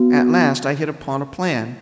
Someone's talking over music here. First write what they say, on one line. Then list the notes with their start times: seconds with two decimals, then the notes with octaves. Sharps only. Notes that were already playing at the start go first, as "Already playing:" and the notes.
At last I hit upon a plan.
Already playing: B3 F#4